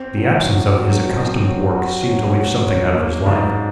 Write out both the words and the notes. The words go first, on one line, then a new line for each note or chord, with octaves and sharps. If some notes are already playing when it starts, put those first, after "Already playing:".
The absence of his accustomed work seemed to leave something out of his life.
Already playing: C4
F#3
F#4
F#3
C4
F#3
F#4
F#3
F#3
C#4
A#3
G#2